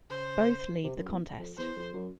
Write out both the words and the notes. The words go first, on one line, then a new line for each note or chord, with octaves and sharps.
Both leave the contest.
C#3 C5
C3
F#2
E2
F2
E2 C5
F2
F#2